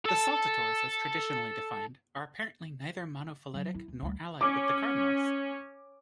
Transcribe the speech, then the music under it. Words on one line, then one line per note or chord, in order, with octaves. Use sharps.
The saltators as traditionally defined are apparently neither monophyletic nor allied with the cardinals.
A4 A5
F#3
E4
D2
D2 G3
C#4 D6